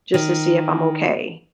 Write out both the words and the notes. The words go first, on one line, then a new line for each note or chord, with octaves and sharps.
just to see if I'm okay.
D#3